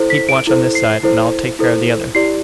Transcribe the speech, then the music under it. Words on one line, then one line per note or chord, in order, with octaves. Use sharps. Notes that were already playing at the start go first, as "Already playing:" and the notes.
"Keep watch on this side, and I'll take care of the other."
Already playing: E4 A4 C5
B6
D7
E4 A4 C5
C7
E4 A4 C5
E4 A4 C5
E4 G4 D5 C7